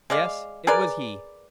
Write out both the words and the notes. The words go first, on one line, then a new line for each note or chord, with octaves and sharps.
Yes! it was he.
G#3 D5 F5
G#4 A#4 B4 D5